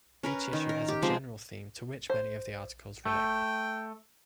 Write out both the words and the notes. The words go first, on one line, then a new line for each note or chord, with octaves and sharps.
Each issue has a general theme to which many of the articles relate.
C#4 A#4 B4
D#3
A#4
G4
F3 G#3 C4 C5
C5
A3 G5